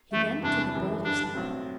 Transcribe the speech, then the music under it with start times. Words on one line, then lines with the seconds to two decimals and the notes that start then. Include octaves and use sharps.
He then took a bolder step.
0.13 F#2 E3 G3 A3
0.43 E2 C3 E3 G3 D4
0.74 G1 F#2 E3 G3
1.04 G1 G2 D3 G3 D4
1.34 B1 A2 F#3 C4